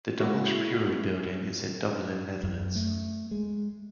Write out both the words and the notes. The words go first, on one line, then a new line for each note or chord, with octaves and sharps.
The Dommelsch Brewery building is in Dommelen, Netherlands.
G#3 A#3 E4 F#4
F#2
A3
G#3